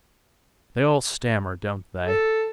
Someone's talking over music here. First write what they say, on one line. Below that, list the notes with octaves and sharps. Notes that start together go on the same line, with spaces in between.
"They all stammer, don't they?"
A4